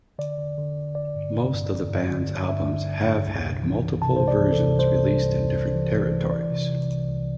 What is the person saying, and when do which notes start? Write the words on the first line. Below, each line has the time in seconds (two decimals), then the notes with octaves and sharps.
Most of the band's albums have had multiple versions released in different territories.
0.19 D3 D5
0.38 D3
0.58 D3
0.77 G1
0.95 G1 D5
1.15 G2
1.34 G1
1.53 G2
1.72 G1
1.91 G2
2.11 D3
2.30 G1
2.49 G2 E5
2.68 D3
2.87 G1
3.06 G2
3.25 C2
3.44 C3
3.63 E3
3.82 C2
4.01 C3 A5
4.16 C2 C5
4.28 D5
4.41 E3
4.52 A4
4.59 C3
4.78 C2 C5
4.98 C2
5.17 C2
5.35 C2
5.55 C2
5.75 E3
5.94 E3
6.12 E3
6.31 E3 D5
6.50 C3
6.70 C3
6.90 C2
7.09 C2